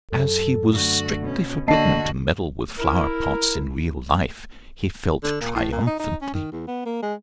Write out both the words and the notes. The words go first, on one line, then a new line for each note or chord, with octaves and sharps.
As he was strictly forbidden to meddle with flower-pots in real life, he felt triumphantly wicked.
F#2 A4
D3 A3 F#4
B2 C#4
D3 A#3 D4 F#4 D#5 A5 C7
E4 A#4
D3
A#2
A2
A#2
D#4
D#4
C#4
D#3
E2
B3
A#3
G#3